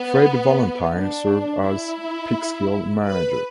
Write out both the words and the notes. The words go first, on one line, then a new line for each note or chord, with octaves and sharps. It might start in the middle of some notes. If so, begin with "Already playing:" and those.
Fred Valentine served as Peekskill manager.
Already playing: B3
D4
E4
B4